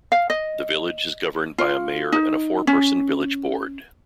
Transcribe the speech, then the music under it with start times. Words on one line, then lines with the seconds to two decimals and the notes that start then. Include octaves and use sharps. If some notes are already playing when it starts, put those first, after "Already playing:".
The Village is governed by a Mayor and a four-person Village Board.
0.12 F5
0.30 D#5
1.58 F4
2.12 D#4
2.67 C#4